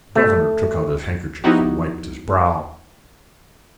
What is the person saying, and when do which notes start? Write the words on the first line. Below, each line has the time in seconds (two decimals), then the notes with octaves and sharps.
The governor took out his handkerchief and wiped his brow.
0.16 A3
1.44 F3 B3 D#4 E4 F#4 G4